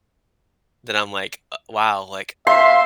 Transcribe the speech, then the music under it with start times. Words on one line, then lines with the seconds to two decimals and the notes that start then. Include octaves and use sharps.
that I'm, like, uh, wow, like,
2.47 E5 F5 C6